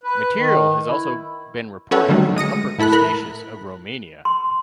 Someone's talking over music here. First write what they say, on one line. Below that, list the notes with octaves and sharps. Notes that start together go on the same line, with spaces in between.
Material has also been reported from the Upper Cretaceous of Romania.
B4
D#3
E4
C#4 A4 B4 C#5 E5 F#5
D3 D#3 F#3 G3 A3
G#3 D#6 A#6 C#7
A2 E4 A4 B5 F#6
A#4 B5 F#6
C6